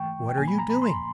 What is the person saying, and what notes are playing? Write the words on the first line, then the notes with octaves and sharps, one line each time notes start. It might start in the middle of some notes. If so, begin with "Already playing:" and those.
What are you doing?'
Already playing: G#2 E3 A3 G5 C#6
G5
A#2 F3 A#3 G#5
B5
A#5
B5
C6